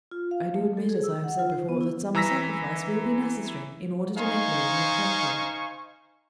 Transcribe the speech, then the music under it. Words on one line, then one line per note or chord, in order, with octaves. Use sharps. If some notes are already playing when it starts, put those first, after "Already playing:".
I do admit, as I have said before, that some sacrifice will be necessary in order to make labour attractive.
F4
F5
A3
A4
G#4
E6
F#5
F4
C5
B3
E4
E3 A#5 E6 A#6 B6
D#4 C5 F5 G#5 C#6